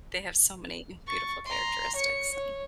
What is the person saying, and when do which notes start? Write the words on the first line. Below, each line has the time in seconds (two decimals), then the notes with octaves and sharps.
they have so many beautiful characteristics and
1.07 C#6 A6
1.45 A#5 C6
1.96 C#5 C#7
2.32 C#5